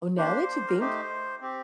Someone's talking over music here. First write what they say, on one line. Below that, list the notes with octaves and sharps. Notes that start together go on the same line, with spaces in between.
Oh, now that you think,
A#3 D4 G4 C5
A#4
A3 D#4 G4 C5
C4 G4